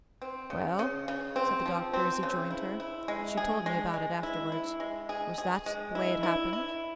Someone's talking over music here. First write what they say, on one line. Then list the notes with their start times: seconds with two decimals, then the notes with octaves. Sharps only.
"Well," said the Doctor, as he joined her--she told me about it afterwards--"was that the way it happened?"
0.22 C4
0.50 C#3
0.79 C#3
1.08 C#3
1.36 C4
1.66 F3
1.93 C4
2.23 C#3
2.50 E4
2.80 E4
3.08 G#3
3.37 G#4
3.66 G#3
3.94 G#3
4.23 E4
4.52 E4
4.80 G#3
5.09 G#4
5.38 G#4
5.66 G#3
5.95 E4
6.23 E4
6.53 E4